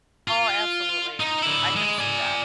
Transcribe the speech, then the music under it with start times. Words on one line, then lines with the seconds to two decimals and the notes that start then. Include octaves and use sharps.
Oh, absolutely. I can see that.
0.28 F4
1.20 D#4
1.42 D3 E4
1.76 G#3
1.98 D5 G#5